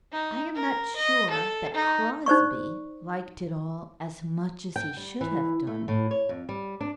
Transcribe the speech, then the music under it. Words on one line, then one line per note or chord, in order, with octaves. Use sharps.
I am not sure that Crosbie liked it all as much as he should have done.
D#4
A#4
D#5
A4
D#4
D#4 C5 D5 C#6
G5
G3
E3
A3
A2
C#5
F2
G3
D4